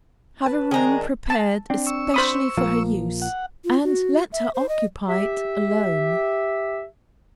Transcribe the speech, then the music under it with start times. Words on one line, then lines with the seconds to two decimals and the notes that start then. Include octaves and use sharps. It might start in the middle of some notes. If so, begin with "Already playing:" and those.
Have a room prepared especially for her use, and let her occupy it alone.
0.46 B4 A5
0.71 D#3 G#3 D4 G#4 G#5 A#5
1.30 A5
1.70 C4 D4
1.87 C#6 E6
2.14 C5 B5 D#6
2.57 A#1 F3 A#3
3.22 F#5
3.65 F4
3.84 F#4
4.32 E5
4.54 C5
4.69 D#5
5.08 G4 E5